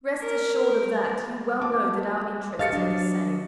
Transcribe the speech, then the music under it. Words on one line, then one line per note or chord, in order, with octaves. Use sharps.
"Rest assured of that; you well know that our interests are the same."
A#4
A5 D6
G4 A4 D#5 F5 A6 C#7
F#3 D4